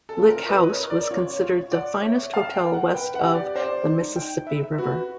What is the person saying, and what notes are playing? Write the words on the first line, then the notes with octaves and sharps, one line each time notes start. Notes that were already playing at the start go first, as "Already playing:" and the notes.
Lick House was considered the finest hotel west of the Mississippi River.
A4
F4
A#4
B4 D#5
C#5
A#4
D5
F4 C#5
C#5
F4
C#5
D5 F#5
C#5 E5
F5 A5
G5
A#4
F#5
B4 G5
F#5
G4
D5
C5 D5
D#4
G5
E5
F#4 B4